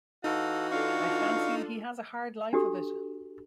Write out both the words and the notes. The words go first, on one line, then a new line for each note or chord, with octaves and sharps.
I fancy he has a hard life of it.
E3 D#4 F#4 A4 F5
D4 F4 A4 F5 C#6
D4 F#4 G4 A4